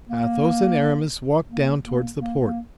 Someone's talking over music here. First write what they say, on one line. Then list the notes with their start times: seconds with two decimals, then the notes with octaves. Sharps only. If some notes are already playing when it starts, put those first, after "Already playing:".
Athos and Aramis walked down toward the port.
0.09 A#3
1.50 A#3
1.85 A#3
2.19 A#3
2.43 A#3